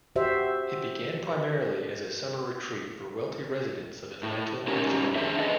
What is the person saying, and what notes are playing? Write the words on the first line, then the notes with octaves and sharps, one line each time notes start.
It began primarily as a summer retreat for wealthy residents of Atlanta and Savannah.
F#4 G4 C5 E5
A2
C#4 D#4 G4 A#4 C#5
D4 G#4 C5 E5
G#4 A4 B4 D#5 E5